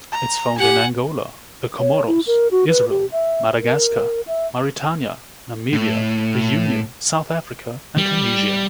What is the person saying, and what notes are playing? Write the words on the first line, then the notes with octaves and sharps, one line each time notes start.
It’s found in Angola, the Comoros, Israel, Madagascar, Mauritania, Namibia, Reunion, South Africa and Tunisia.
A#5
G4 F#5 G#5
C#5
E4
A#4
F#4
B4
G4
E5
A#4
E5
A2
G3